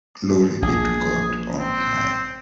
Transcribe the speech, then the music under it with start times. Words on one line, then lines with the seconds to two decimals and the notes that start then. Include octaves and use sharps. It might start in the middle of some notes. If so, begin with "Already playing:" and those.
Glory be to God on high.
0.62 A#1 G#4
1.59 C4